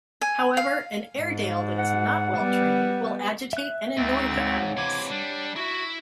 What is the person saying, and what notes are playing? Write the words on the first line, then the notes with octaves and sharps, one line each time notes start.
However, an Airedale that is not well trained will agitate and annoy the animals.
G#5
F5
G#2
F#5
G3 B3
E5 F#6
D2 G#2 C4 A6
C#5 F5 F#5
C3 E3 D6 G#6
G3 D4
E4 F#4 E5